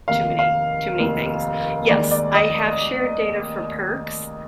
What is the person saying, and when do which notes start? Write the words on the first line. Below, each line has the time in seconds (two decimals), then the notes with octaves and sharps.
Too many too many things, yes, I have shared data for perks.
0.08 F1 D#2 D#3 F5
0.39 F5
0.98 F1 D#2 D#3
1.89 D#2 D#3 G#3 D5
2.11 D5
2.35 D#5